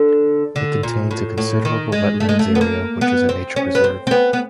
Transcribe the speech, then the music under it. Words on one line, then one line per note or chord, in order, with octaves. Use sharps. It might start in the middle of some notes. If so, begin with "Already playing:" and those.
It contains a considerable wetlands area which is a nature preserve.
Already playing: D3
D3
A#2
A2
A2
D#3
G#3
A3
G#3
A3
B3
A#3
B3
C4
C#4
B3
C4
C4
B3
B3